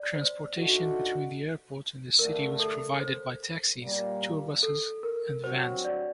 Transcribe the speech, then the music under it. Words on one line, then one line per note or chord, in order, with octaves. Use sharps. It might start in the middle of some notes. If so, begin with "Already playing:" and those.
Transportation between the airport and city was provided by taxis, tour buses and vans.
Already playing: D5
C5
D3 A3 D#4 F#4
G2 D3 A3 A#4
A4
C5
A#2 G3 A#3
A4
A#4
G2 F#3 C4 F#4 C5
D5